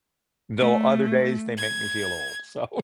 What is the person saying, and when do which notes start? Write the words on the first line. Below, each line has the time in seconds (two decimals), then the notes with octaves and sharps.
Though other days they make me feel old, so
0.59 A3
1.57 G#6